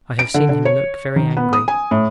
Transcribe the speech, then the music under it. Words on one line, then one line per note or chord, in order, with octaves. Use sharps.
I have seen him look very angry.
D7
D3
D3
C#5
D#3
B3
D#6
G#5
A2